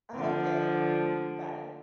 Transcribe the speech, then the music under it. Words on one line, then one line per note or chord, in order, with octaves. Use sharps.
Okay, mhm, bye.
D3 F3